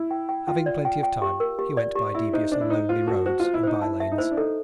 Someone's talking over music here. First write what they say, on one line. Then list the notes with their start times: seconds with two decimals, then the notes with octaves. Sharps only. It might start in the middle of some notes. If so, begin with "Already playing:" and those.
Having plenty of time he went by devious and lonely roads and by-lanes.
Already playing: E4
0.11 G5
0.29 G5
0.47 F4 G5
0.66 D5
0.85 G5
1.03 G5
1.22 G4
1.40 A#4
1.59 G4
1.77 D5
1.96 G4
2.14 E4 E5
2.33 D#4 C5
2.52 D4 C5
2.61 E4
2.70 D#4 C5
2.89 F4 C5
3.07 F#4 A5
3.26 F#4 C5
3.40 F4 C5
3.54 E4
3.63 D#4 C5
3.82 E4 A5
4.00 E5
4.12 D#4
4.18 E4 C5
4.31 D4
4.37 D#4 A4